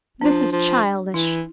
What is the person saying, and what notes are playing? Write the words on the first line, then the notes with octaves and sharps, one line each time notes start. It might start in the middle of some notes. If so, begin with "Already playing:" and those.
This is childish.
F3 D4
F3
E3 E4